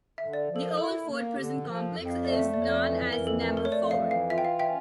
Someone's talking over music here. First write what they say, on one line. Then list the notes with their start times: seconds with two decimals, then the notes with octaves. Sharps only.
The Old Fort Prison complex is known as Number Four.
0.18 D3 E5
0.33 D5
0.48 F3
0.56 A4
0.62 A#4
0.77 E4 A4
1.07 A#3
1.36 D3 G4
1.65 F3 A#4
1.75 A4
1.95 F2 A4
2.06 G5
2.10 F5
2.24 A3 D5
2.39 E5
2.54 F2 D5
2.62 C#5
2.69 D5
2.84 E3
3.13 F2 A#4
3.27 A4
3.41 A3 A#4
3.57 A#4
3.65 C#5
3.71 F2 D5
3.91 F5
4.01 E3
4.11 F5
4.30 F4 E5
4.38 G5
4.45 F5
4.59 C#4 E5 G5